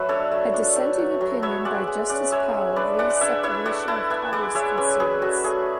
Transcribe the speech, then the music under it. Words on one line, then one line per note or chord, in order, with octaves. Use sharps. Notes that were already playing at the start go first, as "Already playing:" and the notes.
A dissenting opinion by Justice Powell raised separation of powers concerns.
Already playing: F#3 A3 B4 E5
D4 A4 C#5
A3
D4
A3
F#3
F#3
B3 C#5 E5
G#3 D5 F#5
G#3
C#4 D5 F#5
G#3 C#5 E5
G#3
D4 B4 D5
G#3 D5 F#5
F#5
D4 E5 G#5
E4 C#5 E5
A3 D5 F#5
E4 F#5 A5
B3 E5 G#5
G#3 D5 F#5
G#3 C#5 E5
C#4 B4 D5
F#3 G#4 B4
F#3 F#4 A4
A3 G#4